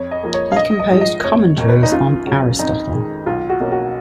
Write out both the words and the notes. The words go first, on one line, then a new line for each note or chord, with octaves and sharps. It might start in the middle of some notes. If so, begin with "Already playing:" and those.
He composed commentaries on Aristotle.
Already playing: F2 C#5
D#5
F3 A#3
C#5
F5
A#1 D#5
D#5
G#2 F3
D#5
F1 C#5
D#2 D#3 A#3
B4
D#4
F#2 F4
C#3 F#3 C#4
F2 D#4
D#3 G#3
B1 F4
F#4
B2 A#3 C#4
F#4